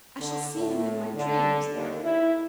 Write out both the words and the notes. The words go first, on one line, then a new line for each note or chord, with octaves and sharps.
I shall see him in my dreams.
D3
A2
D3
D#2
E4